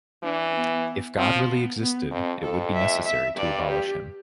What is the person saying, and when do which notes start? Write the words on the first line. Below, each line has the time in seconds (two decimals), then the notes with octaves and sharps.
If God really existed, it would be necessary to abolish him.
0.23 E3 D4
0.55 B3
1.17 F3 C4
1.49 B3
1.80 B3
2.11 F2 C4
2.43 F2 A4
2.74 E5
3.06 E5
3.37 G2 D5
3.69 G4